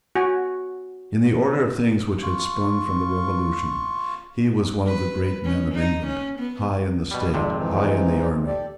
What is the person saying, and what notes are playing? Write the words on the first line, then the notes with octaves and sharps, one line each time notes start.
In the order of things which had sprung from the Revolution, he was one of the great men of England, high in the state, high in the army.
F#4 G#5
F4 C#6
B4
C#4
D#4
C#4
B3
B2 G3
G#1 F2 C3 D4
G#2 E3 D#4
G4 A4 D5